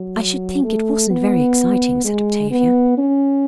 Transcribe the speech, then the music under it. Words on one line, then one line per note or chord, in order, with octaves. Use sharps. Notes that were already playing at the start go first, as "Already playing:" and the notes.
"I should think it wasn't very exciting," said Octavia.
Already playing: F#3
A3
B3
G#3
B3
C#4